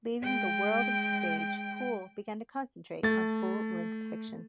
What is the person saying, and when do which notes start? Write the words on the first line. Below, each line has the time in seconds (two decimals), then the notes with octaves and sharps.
Leaving the world of the stage, Poole began to concentrate on full length fiction.
0.21 G#3 G5
3.03 A3 A6